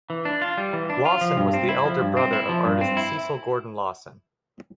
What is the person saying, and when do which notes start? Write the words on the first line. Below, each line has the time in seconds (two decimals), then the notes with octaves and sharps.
Lawson was the elder brother of artist Cecil Gordon Lawson.
0.10 E3
0.25 D4
0.42 F4
0.58 G3
0.73 E3
0.90 D4
1.05 F4
1.21 F3
1.37 G2
1.53 C4
1.69 E4
1.85 F3
2.01 G2
2.17 C4
2.33 E4
2.49 F3
2.65 G2
2.81 C4
2.97 E4